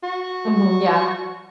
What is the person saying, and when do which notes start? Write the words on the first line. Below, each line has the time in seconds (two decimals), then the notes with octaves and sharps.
Mhm, yeah.
0.03 F#4